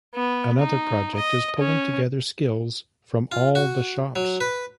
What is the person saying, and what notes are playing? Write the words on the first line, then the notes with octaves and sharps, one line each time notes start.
Another project is pulling together skills from all the shops.
B3
D#4
D#5
C#4
F4
F#4
F#3
B4